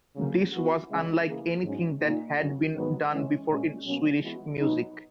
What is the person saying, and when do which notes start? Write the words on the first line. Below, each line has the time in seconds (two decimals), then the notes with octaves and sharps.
This was unlike anything that had been done before in Swedish music.
0.16 C#3 F#3 A#3
0.53 E3 B3 F#4
0.89 C#3 G#3 C#4 E4
1.26 C#3 E3 A#3 E4 G#4
1.63 G#2 F#3 C#4
2.00 A#2 A#3 D#4
2.37 F#2 C#3 F#3 C#4
2.73 G#2 D#3 F#3 B3
3.11 E3 G#3 C#4
3.47 A#2 G#3 C#4
3.85 B2 F#3 A#3 C#4
4.21 E3 G#3 B3 F#4
4.59 B2 F#3 B3 D#4